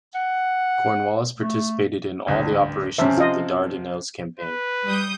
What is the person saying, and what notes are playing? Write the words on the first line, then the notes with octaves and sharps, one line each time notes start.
"Cornwallis" participated in all the operations of the Dardanelles campaign.
F#5
A3
A1 D2 G2
C3 F3 C4 C#4 E5
F4 D#5
B4
G3 D#6 G6